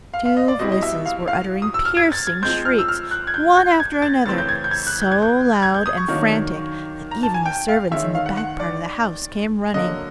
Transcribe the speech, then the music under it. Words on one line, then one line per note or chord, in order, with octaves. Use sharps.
Two voices were uttering piercing shrieks, one after another, so loud and frantic that even the servants in the back part of the house came running.
F5
F5
D#5
D5
B2 G3 C4 E4 D#5
D#5
E5
F5
F5
D#6
E6
F6
G#6
A6
G#6
F3 G#3 C4 G6
F6
E6
F6
F#6
G#6
G6
G6
G#6
A6
C#3 E3 A3 C4 A6
G6
G#6
G6
G#6
F#6
G6
G#6
G6
G#6
G6
D#6
C#6
D#3 F#3 A#3 D4
A#5
A5
G#5
G5
F5
D#3 G#3 C#4 E5
F5
F#5
F#5
D5
D3 F#3 A#3 D#5